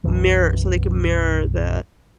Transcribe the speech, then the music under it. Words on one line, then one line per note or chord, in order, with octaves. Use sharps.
mirror so, they can mirror the
B1 F#2 B2 E3